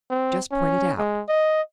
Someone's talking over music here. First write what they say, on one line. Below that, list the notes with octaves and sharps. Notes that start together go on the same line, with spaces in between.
Just point it out.
C4
C#4
G#3
D#5